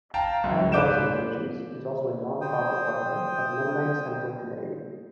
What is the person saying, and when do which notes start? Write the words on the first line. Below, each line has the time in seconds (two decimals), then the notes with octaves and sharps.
Ten Thousand Villages is also a nonprofit partner of Mennonite Central Committee.
0.14 F5 G5 A5 A#5
0.44 C#2 F#2
0.72 G#2 B4 D6 G6 D7 E7
2.41 C5 G5 D#6